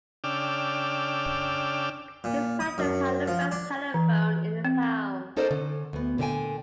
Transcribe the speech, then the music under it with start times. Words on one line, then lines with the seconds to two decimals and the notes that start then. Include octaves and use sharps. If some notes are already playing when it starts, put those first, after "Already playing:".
His practice had the first telephone in the town.
0.24 C#3 D4 G5 D6 E6 F6
2.24 A#2
2.60 D#6
2.78 F#2
3.28 F3
3.51 D4
3.94 E3
4.65 C4
5.37 C#4 D#4 A4 A#4 C5 D5
5.51 D3 C#4
5.93 D2 B3
6.18 A#2 D3 B4 G5 G#5